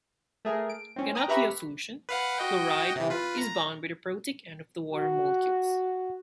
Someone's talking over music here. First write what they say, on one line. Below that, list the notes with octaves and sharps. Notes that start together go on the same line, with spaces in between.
In aqueous solution, chloride is bound by the protic end of the water molecules.
A3 G#4 A#4
D7
C4 C#4
G5 A#5 D#6
G4 B4 E5 A#5 B5 C#6
B4 F5 F#5
F#4 D#5 G5
C3 E3
F4 B4
A#5
F#4